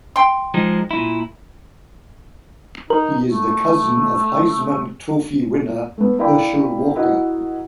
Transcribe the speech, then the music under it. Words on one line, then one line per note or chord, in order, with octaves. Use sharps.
He is the cousin of Heisman Trophy winner Herschel Walker.
G5 C6
F3 G#3 D#4
A#2 E4
D#4 A#4
A3
A3 B3
E4 A#4 D5 F5 G5 B5
E4 F#4 A#4 D#5 F#5